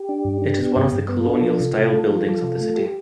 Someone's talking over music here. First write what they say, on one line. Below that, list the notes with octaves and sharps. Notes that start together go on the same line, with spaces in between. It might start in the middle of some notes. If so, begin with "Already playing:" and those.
It is one of the colonial style buildings of the city.
Already playing: G4
D4
G2
D4
B3
G2 G4
G2
B3
F4 A4
D4
F3
C3
C3
A3
F3
F3
C3
A3
G4